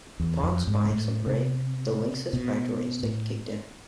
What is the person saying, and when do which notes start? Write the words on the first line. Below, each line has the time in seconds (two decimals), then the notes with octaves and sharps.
Upon spying some prey, the lynx's predatory instinct kicked in.
0.20 E2
0.43 F2
0.67 G#2
0.84 B2
0.90 A2
1.26 C3
2.33 B2
3.03 A2